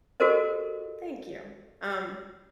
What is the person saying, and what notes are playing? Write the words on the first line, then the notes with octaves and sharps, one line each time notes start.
Mm, thank you. Um,
F#4 G4 A4 A#4 C5 D#5